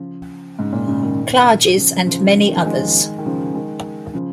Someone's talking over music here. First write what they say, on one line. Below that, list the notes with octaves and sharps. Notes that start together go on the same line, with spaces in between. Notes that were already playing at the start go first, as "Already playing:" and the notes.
Klages and many others.
Already playing: C#3 F3
G#2 C#3
A#2
G#2 C#3
A#2 D#3
C#3 F3
C#3 F3
C#3
D#3
F3
D#3 G#3
D#3
C#3 F3
D#3 G#3
C#3 F3